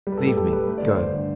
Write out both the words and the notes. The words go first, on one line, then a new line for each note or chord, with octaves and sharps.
"Leave me--go!"
G3
B4
A4
A2
G4
G3 A4
G3 B4
A3 B4
D5
D3 C5
G2 C5
D3